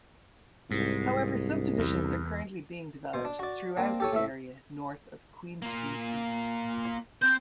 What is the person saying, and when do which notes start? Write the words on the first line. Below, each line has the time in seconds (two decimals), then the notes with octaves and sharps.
However, subdivisions are currently being developed throughout the area north of Queen Street East.
0.71 C2 G#2
1.79 E2
3.14 B2 C5
3.25 D4
3.39 F#4 D5
3.77 A#3 C4 D4
4.00 G4 A4 C#5
4.13 A2 A3 E5
5.62 A#3 F4
7.22 C4 C5 G6